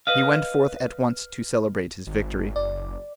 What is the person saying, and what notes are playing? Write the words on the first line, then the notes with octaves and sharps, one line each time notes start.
He went forth at once to celebrate his victory.
B4 D#5 F5
G#1
F#1 D5